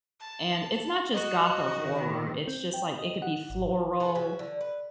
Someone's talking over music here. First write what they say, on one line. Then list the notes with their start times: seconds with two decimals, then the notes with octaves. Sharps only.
And it's not just goth or horror, it's just, like it could be floral,
0.21 A5
1.14 F#4 D#5
1.77 D#3
2.48 C4
2.74 G5
2.99 D#5
3.22 F#5
3.50 G#1
4.00 F4 F#4 G#4 B4
4.15 C#3 E3 F#4
4.39 D3
4.61 B4